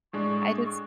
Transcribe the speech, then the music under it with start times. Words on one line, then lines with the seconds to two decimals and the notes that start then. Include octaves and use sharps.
I just
0.13 A2 G#3 D4 C#6